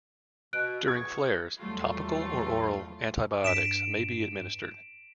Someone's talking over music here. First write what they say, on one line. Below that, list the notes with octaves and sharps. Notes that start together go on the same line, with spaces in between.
During flares, topical or oral antibiotics may be administered.
B2 F#6 D7
E2 G#4 C#6 G#6
E2 F#3 G3 A3 F4
G2 B6 D7 E7